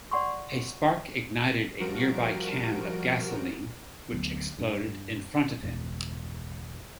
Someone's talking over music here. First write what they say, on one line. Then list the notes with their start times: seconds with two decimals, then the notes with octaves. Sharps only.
A spark ignited a nearby can of gasoline, which exploded in front of him.
0.11 D5 F#5 C6 C#6
1.80 F3 G3 F#4 A#4 D7
4.12 D2 F#3 B3
4.59 G2
5.62 G1 E2 G#2 B2